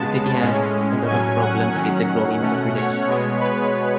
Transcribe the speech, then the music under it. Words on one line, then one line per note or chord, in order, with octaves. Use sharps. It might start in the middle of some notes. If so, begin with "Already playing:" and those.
The city has a lot of problems with the growing population.
Already playing: C#3 G#3 B3 A5
A2 G#3 C#4
A2 F#3 C#4 G#5
F#5
D#3 F#3 C#4
B2 A3 C#4
C#5
B2 G#3 B3
B4